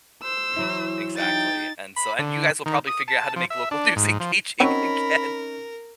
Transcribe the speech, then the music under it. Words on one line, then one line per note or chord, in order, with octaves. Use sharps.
Mhm, exactly, and so and you guys will probably figure out how to make local news engaging again.
C5 E6
E3 F#3 E4
D#4 G5 A6
B5
D3
D#3
D#6
A5
F3
E5
D4
G#2
F3
F#3 C4 C#4 D#4 A#4 C#5 B5